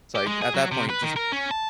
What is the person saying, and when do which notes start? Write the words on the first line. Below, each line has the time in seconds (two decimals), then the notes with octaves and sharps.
It's like, at that point, just
0.15 G4
0.27 G#3
0.42 G#4
0.55 F#3
0.72 C3
0.90 B4
1.02 D#3
1.16 A#4
1.32 C#4
1.51 A5